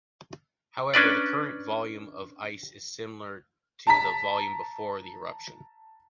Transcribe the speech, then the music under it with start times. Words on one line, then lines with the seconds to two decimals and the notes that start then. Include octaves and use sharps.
However, the current volume of ice is similar to the volume before the eruption.
0.94 C#4 D4 B4 D5
3.87 A5 A#5 B6